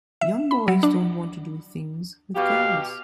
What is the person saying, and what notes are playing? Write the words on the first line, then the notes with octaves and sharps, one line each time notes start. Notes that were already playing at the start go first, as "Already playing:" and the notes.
Young boys don't want to do things with girls.
E5
B5
F#3
D4
B2 G4 F5